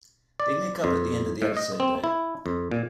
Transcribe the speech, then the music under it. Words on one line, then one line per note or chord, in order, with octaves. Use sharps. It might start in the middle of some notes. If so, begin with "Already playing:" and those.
They make up at the end of the episode though.
D5
F2
A2
D#5
C4
E4
F2
A#2